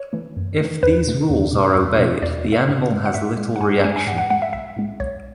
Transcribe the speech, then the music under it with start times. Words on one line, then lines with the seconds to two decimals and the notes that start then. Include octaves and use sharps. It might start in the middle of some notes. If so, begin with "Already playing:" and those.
If these rules are obeyed the animal has little reaction.
Already playing: C#5
0.13 E3 A3
0.37 F#2
0.60 E3 A3
0.83 E2 B4
1.06 B2 A3
1.30 E2
1.53 B2 A3
1.75 E2
1.98 B2 A3
2.22 E2 D5
2.45 B2 A3
2.52 E5
2.69 G#2
2.92 G#3
3.06 F#5
3.14 G#2 E5
3.38 G#3
3.56 F#5
3.61 G#2 G#5
3.84 G#3 G#5
3.96 G#5
4.07 G#2 F#5
4.18 F#5
4.30 G#3 F#5
4.42 E5
4.53 B1 E5
4.77 A2 G#3
5.00 B1 C#5